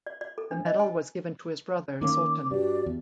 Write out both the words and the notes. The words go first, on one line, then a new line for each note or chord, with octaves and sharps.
The medal was given to his brother Sultan.
D5
D5
A4
D4
D#5
G#5
D#3 A#3 C#4 D6
G2 F#4 G4 D5
E2